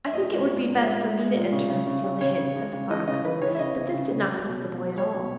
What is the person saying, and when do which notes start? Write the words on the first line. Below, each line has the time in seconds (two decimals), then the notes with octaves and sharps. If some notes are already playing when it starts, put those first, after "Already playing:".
'I think it would be best for me to enter and steal the hens,' said the fox; but this did not please the boy at all.
0.07 E5
0.14 A#2 D#5
0.31 G#3
0.49 A#2
0.66 A#2
0.83 G#3 E5
1.00 G#3
1.18 G#3
1.35 A#2
1.52 C#3
1.70 C#3
1.87 C#3
2.04 C#3
2.21 C#3 C#5
2.39 C#3
2.56 G#3
2.73 C#3
2.90 E3 D#5
3.08 C#3 D#5
3.25 E3 B4
3.42 E3 C#5
3.55 E5
3.59 C#3 D#5
3.76 C#3
3.94 C#3
4.11 C#3
4.28 F#3
4.46 B2
4.63 B2
4.80 F#3
4.97 F#3 C#5
5.14 B2